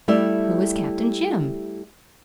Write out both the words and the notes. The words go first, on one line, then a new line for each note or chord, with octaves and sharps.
"Who is Captain Jim?"
G3 A3 E4 G4 D5 E5